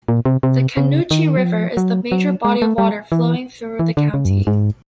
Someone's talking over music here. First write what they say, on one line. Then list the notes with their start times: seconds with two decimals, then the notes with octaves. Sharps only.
The Canoochee River is the major body of water flowing through the county.
0.08 A#2
0.25 C3
0.43 C3
0.77 C#3
1.11 D#3
1.37 F#3
1.44 F3
1.77 F#3
2.12 F#3
2.45 G#3
2.62 A3
2.78 G3
3.12 E3
3.79 E3
3.97 D3
4.14 C#3
4.25 F#2
4.31 G2
4.47 G#2